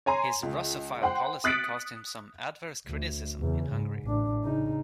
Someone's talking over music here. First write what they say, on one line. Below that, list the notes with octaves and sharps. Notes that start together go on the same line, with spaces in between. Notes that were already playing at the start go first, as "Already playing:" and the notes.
His Russophile policy caused some adverse criticism in Hungary.
C#5 G#5 A#5 C6
C#2
C5 F#5 G5 C6
D#6 F#6 A6 B6 C#7 D7
D2
E2 C#3
G#2
A1 D4
C#3 D#4